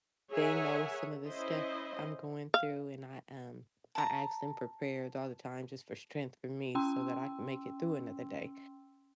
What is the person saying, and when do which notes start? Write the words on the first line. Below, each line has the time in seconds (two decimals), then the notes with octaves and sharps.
They know some of the stuff I'm going through, and I um, I asked them for prayers all the time, just for strength, for me, so that I can make it through another day,
0.31 G#4 A#4 C#5 E5 F#5 G#5
1.27 C#4 E4 C5 D#5
2.54 F5
3.95 A5 A#5
6.75 C#4 G5 C6 E6